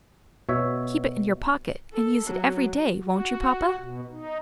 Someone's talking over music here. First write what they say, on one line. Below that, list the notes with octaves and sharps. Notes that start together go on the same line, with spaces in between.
"Keep it in your pocket, and use it every day, won't you, papa?"
B2 C#5 E5
A4
F#3
F#4
B2
D#4